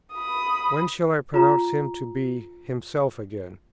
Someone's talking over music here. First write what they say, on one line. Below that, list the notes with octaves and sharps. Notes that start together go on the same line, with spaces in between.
When shall I pronounce him to be himself again?
B5 D#6
F4 A#5